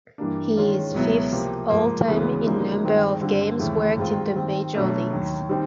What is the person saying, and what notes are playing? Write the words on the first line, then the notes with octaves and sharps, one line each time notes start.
He is fifth all time in number of games worked in the Major Leagues.
G2 E3 G3 A#3 D4
D#3 G#3 C#4 F4
C#2 B2 F#3 B3 E4
C3 F3 A#3
G#2 F3 A#3
D2 C#3 E3 G#3 B3
D2 C#3 F3 A#3 D#4
G2 D#3 G#3 C4 F4
G2 D3 G3 C4 F4
D#2 C#3 E3 A3 C4
G#2 D#3 G#3 C4 F4
D#3 G3 C4
B2 F#3 A3 D4
D#2 D#3 F#3
D#3 G3 C4 D#4